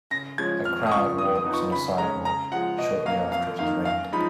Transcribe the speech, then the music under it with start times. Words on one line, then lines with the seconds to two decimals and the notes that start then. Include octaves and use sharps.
A crowd walks on a sidewalk shortly after it has rained.
0.11 C#3 A#6
0.38 F3 G#3 C#4 G#6
0.65 F2 F6
0.86 D#6
0.91 C#3 F3 C#6
1.18 F2 D#6
1.35 D#6
1.45 F3 B3 D#4
1.54 C#6
1.72 C#3 B5
1.98 G#3 C#4 A#5
2.25 C#3 A#5
2.51 F3 G#3 F#5
2.78 B2 D#5
3.05 F#3 A#3 C#4 F5
3.32 F2 F5
3.59 D#3 A#3 D#4 F5
3.85 F#2 F5
4.12 F3 G#3 D#4 B5